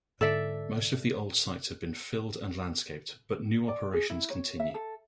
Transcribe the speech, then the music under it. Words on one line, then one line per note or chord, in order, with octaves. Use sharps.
Most of the old sites have been filled and landscaped, but new operations continue.
G#2 D3 A4 D5 E5
D5
G#4
E4
C#5
E5
A4